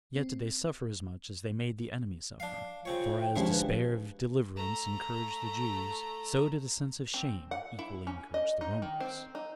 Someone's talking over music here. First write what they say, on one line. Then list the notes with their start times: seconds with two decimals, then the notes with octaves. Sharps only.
Yet did they suffer as much as they made the enemy suffer; for as despair of deliverance encouraged the Jews, so did a sense of shame equally encourage the Romans.
0.16 C4
2.40 D4 F5
2.85 C#3 C4 F4 C#5
3.19 G5
3.36 D2 A#2 F3 G#3 C#4 E4 G4
3.51 B4
4.56 A3 A#5
7.14 C4
7.51 F#5
7.79 E4
8.07 C#4
8.34 D#5
8.61 D#4
8.82 D#3
9.00 C4
9.35 D#4